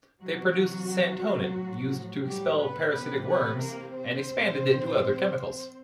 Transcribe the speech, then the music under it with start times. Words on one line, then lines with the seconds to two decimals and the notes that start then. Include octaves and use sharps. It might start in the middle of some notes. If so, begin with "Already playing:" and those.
They produced santonin, used to expel parasitic worms, and expanded into other chemicals.
0.22 C3 E3 F#3 F#4
1.58 A2 F3
2.26 G3 G4
2.60 B3 B4
2.93 C3 E3 B3 B4
3.27 B3 B4
3.61 A#3 A#4
3.95 C4 C5
4.29 A#2 F3